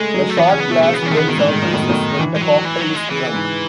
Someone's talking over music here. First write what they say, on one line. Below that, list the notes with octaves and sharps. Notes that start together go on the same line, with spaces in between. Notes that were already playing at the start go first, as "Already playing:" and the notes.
The shot glass then "surfaces" when the cocktail is drunk.
Already playing: C#3 G#3 A3
F#3
A3
E3 B3
C#3 C#4
B3
B2
A3
C#3 A3
B3
E3
C#4
D#3 A3
C#3 B3
B2 D#3
G#2
A2 E3
G#2 D#3
F#2
A2
B2
A2
E3
G#3
F#3
E3
F#3
G#3
C#3 E3
G#2